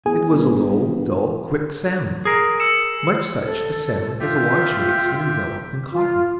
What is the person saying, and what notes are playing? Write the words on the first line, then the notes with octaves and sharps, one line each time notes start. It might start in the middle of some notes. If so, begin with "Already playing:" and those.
It was a low, dull, quick sound--much such a sound as a watch makes when enveloped in cotton.
E2 G#4 G#5
G1
G2
G#4 A#4 C7
E6 C#7 E7
A4
F4 G4 E5 G5
F4